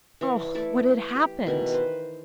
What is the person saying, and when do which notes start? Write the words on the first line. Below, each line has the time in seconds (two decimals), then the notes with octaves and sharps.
Oh! what had happened?
0.21 E3 F5 C#6
0.55 A3 E4 A4 D5
1.15 G4
1.46 B2 D#3 E3
1.72 B4 C5